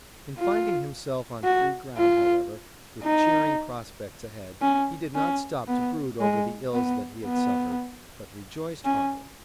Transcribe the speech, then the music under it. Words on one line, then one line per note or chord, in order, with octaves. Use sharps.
In finding himself on free ground, however, with cheering prospects ahead, he did not stop to brood over the ills that he had suffered, but rejoiced heartily.
F4
F#4
F4
D#4
C#4
C#4
B3
G#3
B3
B3
C#4